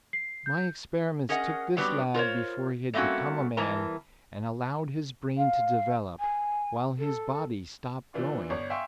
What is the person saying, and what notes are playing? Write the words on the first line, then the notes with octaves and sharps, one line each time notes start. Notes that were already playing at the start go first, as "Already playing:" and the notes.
My experiments took this lad before he had become a man, and allowed his brain to develop, while his body stopped growing!
C7
G6
C#4 G#4 A#4 D#5 F#5
F#3 G3 B3 C4 D4 G4
F4 A#4 C5 C#5
G3 A3 A#3 C4 C#4 F#4
E2 E3 G3 A#4 A5 A#5
F5
G#5
A4
A#2 E3 D4 F4
G1 C#5 D5
E5 F5 G5 G#5 C6 C#6